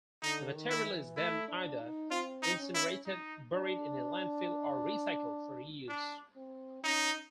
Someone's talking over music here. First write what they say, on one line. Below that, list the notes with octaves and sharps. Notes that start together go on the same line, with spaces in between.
The material is then either incinerated, buried in a landfill or recycled for reuse.
D3 D#4
D#3
E4
E3
A3 E4
D4
D#4
C4 F4
D#4
C#4
E4
D#4
D4
D4
C4
C#4 D#4